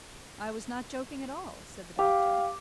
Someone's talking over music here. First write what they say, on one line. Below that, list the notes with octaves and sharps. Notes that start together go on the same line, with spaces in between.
"I was not joking at all," said the doctor.
G4 F5 D6